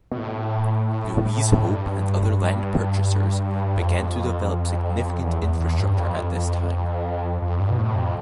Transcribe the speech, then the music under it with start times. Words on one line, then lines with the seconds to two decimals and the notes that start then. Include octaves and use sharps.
Louis Hope and other land purchasers began to develop significant infrastructure at this time.
0.11 B2
0.18 A2
1.63 G2
3.79 F2
5.24 E2
5.42 E2
5.60 E2
5.79 G2
5.97 F2
7.42 F2
7.60 G2
7.70 B2
7.78 A2
7.96 F2